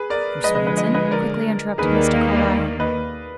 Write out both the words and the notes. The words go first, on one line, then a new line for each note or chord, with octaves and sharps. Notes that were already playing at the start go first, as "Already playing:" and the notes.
"From Swainson?" quickly interrupted Mr. Carlyle.
Already playing: G#4 B4
A#4 D5
D3 F3 G#3 B4 D#5
B4 D#5
B4 D#5
B4 D#5
B4 D#5
A#4 D5
D#2 D#3 A#3 G#4 B4
A#4 D5
F5
D5 F5
B4 D#5